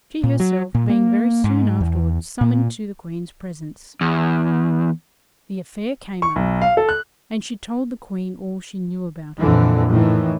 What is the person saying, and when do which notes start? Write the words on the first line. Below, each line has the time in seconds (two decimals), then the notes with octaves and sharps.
She herself being very soon afterwards summoned to the Queen's presence, the affair came up, and she told the Queen all she knew about it.
0.24 A#2
0.40 F#3
0.75 A#2
0.90 A#3
1.44 G#2
1.81 E2
2.41 A#2
4.01 E2
6.22 C#6
6.36 B1
6.62 F5
6.77 A4
6.89 F#6
9.38 F2 A#2 D3 E3
9.91 A2 D#3 E3